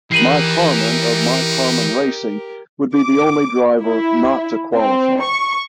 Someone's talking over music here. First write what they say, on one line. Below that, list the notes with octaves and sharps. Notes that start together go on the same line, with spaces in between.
Mike Harmon of Mike Harmon Racing would be the only driver not to qualify.
E3 D#4 G4 A#4 C7 D#7 F#7
D6
E4
C4
C#6